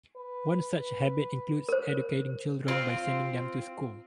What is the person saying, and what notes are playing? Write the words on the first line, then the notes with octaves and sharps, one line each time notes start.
One such habit includes educating children by sending them to school.
B4
A#4 C5
C4 F4